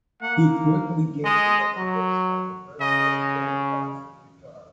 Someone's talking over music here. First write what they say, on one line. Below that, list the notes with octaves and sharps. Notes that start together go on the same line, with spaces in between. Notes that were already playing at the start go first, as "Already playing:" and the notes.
He quickly gained a reputation as a virtuoso concert guitarist.
A#3 F#5
G#3 D#5
F#3
C#3 D#5